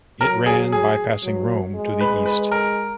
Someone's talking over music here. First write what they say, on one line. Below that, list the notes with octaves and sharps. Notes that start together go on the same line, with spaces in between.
It ran bypassing Rome to the east.
F#3 A#4
G#4
G#4
F#3
G#3
B4
B4
A#4